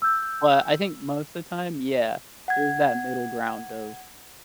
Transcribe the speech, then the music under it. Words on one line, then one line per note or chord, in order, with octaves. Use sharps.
but I think most the time, yeah, there's that middle ground of
E6 G6
F#5 G#6